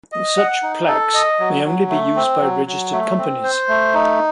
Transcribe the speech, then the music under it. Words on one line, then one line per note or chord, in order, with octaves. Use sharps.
Such plaques may only be used by registered companies.
D#5
F#5
D#4
A4
D#5
F#3
F#3
A3
C4
F#3
F#3
A3
C4
C5
A3
D#4